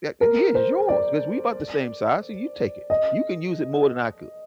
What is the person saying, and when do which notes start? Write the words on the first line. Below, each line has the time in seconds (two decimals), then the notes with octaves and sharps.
a and, "Here's yours 'cause we about the same size, so you take it. You can use it more than I could."
0.21 A#4
0.55 C5
0.89 D5
2.90 D#5